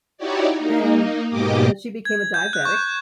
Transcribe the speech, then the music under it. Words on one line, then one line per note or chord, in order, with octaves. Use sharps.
and, uh, she became a diabetic.
D#4 E4 F#4 G4 C#5 D5
A#3 D#4
G#2 B2 A#3 G4 D#5 D6
G#6
G6
F#6
C#6